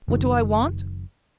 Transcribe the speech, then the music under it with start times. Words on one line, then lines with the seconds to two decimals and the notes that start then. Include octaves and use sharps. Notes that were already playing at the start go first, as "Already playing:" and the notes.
What do I want?
0.08 F#1 D#3 F#3